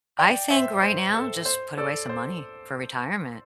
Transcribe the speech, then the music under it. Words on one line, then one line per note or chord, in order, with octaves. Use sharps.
I think right now just put away some money for retirement.
D5 G5
C5 E5
C5
A4
C5
A4 D5
C5